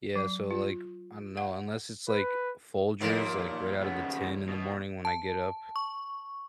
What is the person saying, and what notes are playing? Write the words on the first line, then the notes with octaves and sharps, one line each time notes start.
Yeah, so, like, I don't know, unless it's, like, Folgers, like, right out of the tin in the morning when I get up,
F#3
F4
F#5
B4
D#2 A#2 F3 A#3
C#3 B3
B2
A5
C#6